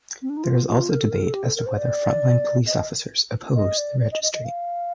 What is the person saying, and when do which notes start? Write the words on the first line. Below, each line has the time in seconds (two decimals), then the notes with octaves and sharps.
There is also debate as to whether frontline police officers oppose the registry.
0.22 C4
0.30 D4
0.37 D#4
0.44 F4
0.67 F4
0.89 A#4
1.00 A4
1.11 A#4
1.22 A4
1.34 G4
1.44 A4
1.56 A#4
1.66 C5
1.78 D5
2.67 D#5
3.56 D#5
3.78 D5
4.00 D5
4.12 D#5
4.23 D#5
4.33 D#5
4.45 F5